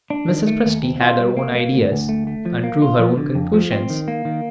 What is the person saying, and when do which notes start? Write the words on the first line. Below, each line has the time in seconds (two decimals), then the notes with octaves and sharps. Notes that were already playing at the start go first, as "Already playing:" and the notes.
Mrs. Presty had her own ideas, and drew her own conclusions.
0.10 D4
0.29 D#3
0.47 A3
0.66 D#2
0.83 C4
1.01 F4
1.20 G3
1.37 A#3
1.55 A#3
1.73 D2
1.92 D2
2.09 A3
2.27 A3
2.46 F3
2.63 A#3
2.82 F4
2.99 F3
3.17 D3
3.35 F2
3.54 F3
3.72 C4
3.90 D#3
4.08 A#3
4.25 D#3